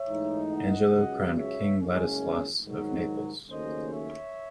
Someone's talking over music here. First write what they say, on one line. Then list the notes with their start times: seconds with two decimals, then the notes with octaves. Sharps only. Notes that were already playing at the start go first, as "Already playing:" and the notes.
Angelo crowned king Ladislaus of Naples.
Already playing: C#5 E5
0.09 G#2 E3 A3 D#4
0.51 D#5 F#5
0.94 C#2 C#3 F#3
1.37 C#5 E5
1.79 F#1 F#2 C#3 G#3 C#4
2.64 G#2 D#3 F#3
3.50 D#2 C#3 F#3 A3 C#4 C5 D#5
3.93 C#5 E5